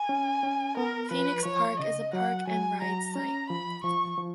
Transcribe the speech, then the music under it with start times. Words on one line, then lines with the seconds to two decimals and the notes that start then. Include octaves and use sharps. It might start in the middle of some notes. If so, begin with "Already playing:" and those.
Phoenix Park is a Park and Ride site.
Already playing: G#5
0.09 C#4
0.43 C#4
0.77 B3 A#4
1.11 F3 B4
1.45 F3 C#5
1.79 C#3 D#5
2.13 F#3 F#5
2.48 F#3 G#5
2.82 F#3 A#5
3.16 C#4 A#5
3.50 F3 B5
3.84 F3 C#6
4.18 F3